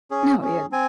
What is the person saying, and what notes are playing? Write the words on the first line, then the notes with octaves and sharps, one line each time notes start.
No, yeah.
C#4 G#4
C#4 G#4
C4 G#5